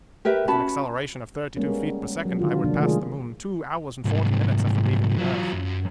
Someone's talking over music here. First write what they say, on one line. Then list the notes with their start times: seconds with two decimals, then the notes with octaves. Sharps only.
With an acceleration of thirty-two feet per second, I would pass the moon two hours and forty minutes after leaving the earth.
0.25 G4 A#4 B4 E5
0.48 C#4 F#4 A5 B5
1.56 G3 G#3 A#3 B3 C#4
2.25 F#3
2.39 D3 D#3 F4
2.64 C3 F3 F#3 A#3 D4
2.79 D#3 G#3 A3 F4 G#4
4.05 C2 G#2
5.17 F#3 F4
5.53 F#2